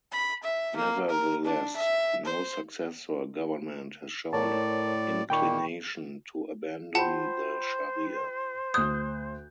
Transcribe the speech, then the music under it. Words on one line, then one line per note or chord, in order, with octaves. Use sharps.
Nevertheless, no successor government has shown inclination to abandon the sharia.
B5
E5
A#3
A#4
D4
E5
C5
A2 A#4 C#5 D5 A5
A#2 D#3 A#3 G5 B5 C#6
F4 C5 F#5 G5 A5 B5
D2 D#6 F#6 G6